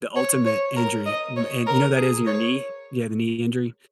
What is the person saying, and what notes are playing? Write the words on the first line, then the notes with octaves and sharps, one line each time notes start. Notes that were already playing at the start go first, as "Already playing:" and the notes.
the ultimate injury. M and you know that is in your knee? Yeah, the knee injury.
C#5
C#5
A#4
D#5
C#5
A#4
G#4
C#5